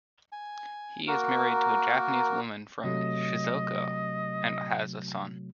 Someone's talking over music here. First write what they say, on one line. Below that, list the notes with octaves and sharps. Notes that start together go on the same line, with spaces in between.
He is married to a Japanese woman from Shizuoka and has a son.
G#5
A#3 F#4 A#4
C3 F#3 A3 D#5